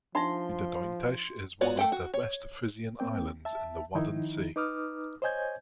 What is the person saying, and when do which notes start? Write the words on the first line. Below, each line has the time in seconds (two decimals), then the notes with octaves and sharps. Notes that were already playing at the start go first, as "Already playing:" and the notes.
Zuiderduintjes is one of the West Frisian Islands in the Wadden Sea.
0.15 F3 D4 D#4 E5 C6
1.61 B3 F4 F#4 C#5 D5
1.79 A3 F#4 A4 F#5 G5
1.92 F#4
2.14 C#5
3.00 A#3 C4 G5
3.45 E5 A5
3.95 D#3 F3 D#4 E4
4.56 D#4 B4 D6 D#6 F6
5.22 C5 C#5 D#5 G#5 G6 G#6